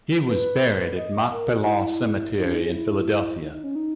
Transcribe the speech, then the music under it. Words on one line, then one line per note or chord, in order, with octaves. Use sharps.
He was buried at Machpelah Cemetery in Philadelphia.
B4
D#5
A#4
F#4
E4
D#4
C#4
D#4
G#4
E4
D#4
D#4
C#4
D#4